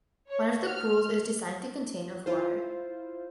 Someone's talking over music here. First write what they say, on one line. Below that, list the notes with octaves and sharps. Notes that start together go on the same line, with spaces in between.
One of the pools is designed to contain of water.
C#5
F6
E4 F4 C5